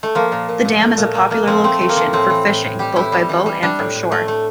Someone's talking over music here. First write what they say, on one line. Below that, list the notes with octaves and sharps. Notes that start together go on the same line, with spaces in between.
The dam is a popular location for fishing, both by boat and from shore.
A3
F3 A#3
A#2
A#2
A#2
A3
A#2
A3 A#3
A#2 A#3
F3 C4
A3 C4
A3
A#3
F3
A2 C4
E3
A2
A2
G3 G4
A2 E4
G3
E3
G3
G3 D4
A2
A2
A3
A3